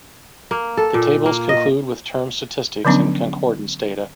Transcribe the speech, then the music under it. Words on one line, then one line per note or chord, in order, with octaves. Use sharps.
The tables conclude with term statistics and concordance data.
A#3
A4
A#2
A#3
D#5
D3 F3 F#3 B3 C#4 D4